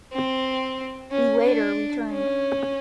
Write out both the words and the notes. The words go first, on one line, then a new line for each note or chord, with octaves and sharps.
He later returned.
C4
C#4
D4
C#4